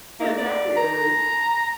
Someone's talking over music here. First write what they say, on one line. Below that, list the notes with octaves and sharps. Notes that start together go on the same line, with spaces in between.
and that is
A#3
D5
A#5